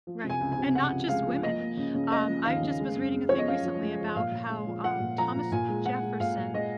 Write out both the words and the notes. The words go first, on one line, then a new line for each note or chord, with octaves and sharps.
Right, and not just women. Um, I just was reading a thing recently about how, um, Thomas Jefferson
F3
C3
G#5
C#2
G#5
C3
C#2 F#5
F3
G#3 F5
F3
A#3 D#5
A#3
C#3
C#3
A#3 D#5
F3
D#2 F5
C#3
G#3
F#2
G#3
F3 C#5
D#5
F#2 F5
F3
G#3
F3
A#2 F5
A#2
G#3
F3
F3 F#5
A#2
F3 A#5
A#2
A#2 G#5
G#3
A#2 F#5
G#3
A#2 F5
A#2
G#3 D#5